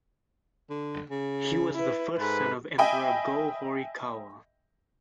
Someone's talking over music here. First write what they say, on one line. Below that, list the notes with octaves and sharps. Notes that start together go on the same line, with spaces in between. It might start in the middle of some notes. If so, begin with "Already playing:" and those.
He was the first son of Emperor Go-Horikawa.
D3
C#3
E4 B4
G#2 A4 B4
D#5 E5 G5 G#5 B5